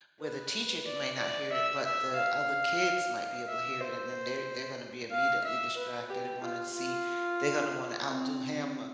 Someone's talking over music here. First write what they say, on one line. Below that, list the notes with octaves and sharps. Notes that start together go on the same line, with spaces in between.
where the teacher c may not hear it, but the other kids might be able to hear it, and then they're they're gonna be immediately distracted and wanna see they're gonna wanna outdo him,
B4
D5
D5
E5
E5
F5
E5
C5
F5
E5
B4
G4
F4
F4
C4